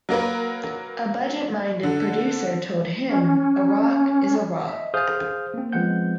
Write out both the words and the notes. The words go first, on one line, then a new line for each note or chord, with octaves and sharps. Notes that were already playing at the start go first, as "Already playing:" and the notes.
A budget-minded producer told him, A rock is a rock.
F#3 A#3 A#4 B4
D3
C#4
D#5 E5
G#4 C5 F5 D#6 F6 G6
A#3 C4
F3 G#3 B3 C4 F#5 G6